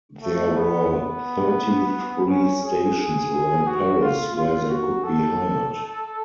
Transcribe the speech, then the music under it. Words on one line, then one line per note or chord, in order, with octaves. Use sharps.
There were thirty-three stations around Paris where they could be hired.
A3
B3
B3
C#4
G#4
G#4
F#4
F4
F4
F#4
A4